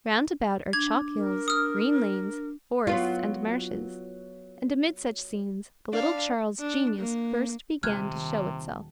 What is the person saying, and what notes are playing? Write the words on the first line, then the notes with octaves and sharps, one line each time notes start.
Round about are chalk hills, green lanes, forests and marshes, and amid such scenes the little Charles's genius first began to show itself.
D4 G#6
A#4
D#6 F6
F#3 B3 F4
D4 D5 F5 B5
D4
A#3
D#1 C3 D#3 A5 F6 F#6 G#6 D#7